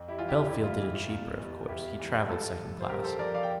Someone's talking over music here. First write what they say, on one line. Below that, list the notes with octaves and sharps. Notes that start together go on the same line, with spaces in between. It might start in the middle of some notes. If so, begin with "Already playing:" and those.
Bellfield did it cheaper, of course; he travelled second class.
Already playing: F2
E4 G4
E3 G3 F4
E4 G4
F2 E4 G4
F4
E3 G3 E4
F4
E2 F4
E3 G3
E2 E4 G4
E3 G3
G2 F4 A4
F3
C5
G2 G4 A#4
A4 C5
F3 A#4 D5
D5 F5
G5